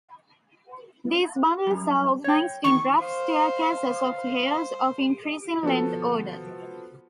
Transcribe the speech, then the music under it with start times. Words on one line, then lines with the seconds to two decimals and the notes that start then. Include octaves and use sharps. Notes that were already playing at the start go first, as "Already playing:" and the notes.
These bundles are organized in rough "staircases" of hairs of increasing length order.
1.67 F#2 G3
2.24 C#5 G5
2.64 E2 D#3 C#6
3.02 C5 F5
4.17 C5
5.63 F3 B3 F#4 A4